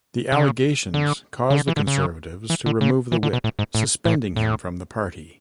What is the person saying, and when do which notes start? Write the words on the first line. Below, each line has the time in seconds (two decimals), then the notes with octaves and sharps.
The allegations caused the Conservatives to remove the whip, suspending him from the party.
0.32 C#3
0.94 D3
1.50 C#3
1.56 D3
1.68 E3
1.77 D3
1.87 C#3
2.50 E3
2.66 D3
2.81 C#3
3.12 E3
3.23 D3
3.33 B2
3.44 A2
3.59 G#2
3.75 A2
4.05 A2
4.36 A2